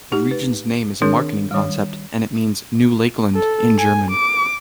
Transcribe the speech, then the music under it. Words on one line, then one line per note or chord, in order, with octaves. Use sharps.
The region's name is a marketing concept and it means "New Lakeland" in German.
A3 D#4 G4
B4
D#3 C4 D4 G#4 A#4
D#3 G3
A4
G#5
D6